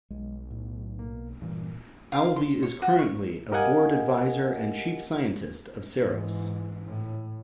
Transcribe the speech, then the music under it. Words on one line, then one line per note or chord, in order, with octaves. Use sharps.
Alvey is currently a board advisor and Chief Scientist of Ceros.
B1 G#3
A2
A#3
G2 A#2 E3
F5
C6
C#5
F#4
C#6
G4 A#4 D#5 F5 F#5 G#5
G#2 E3
A2